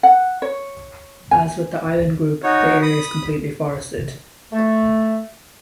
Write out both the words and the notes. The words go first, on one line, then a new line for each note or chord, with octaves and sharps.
As with the island group, the area is completely forested.
F#5
C#5
G#5
D#4 F#4 C#5
B5 D#6
A3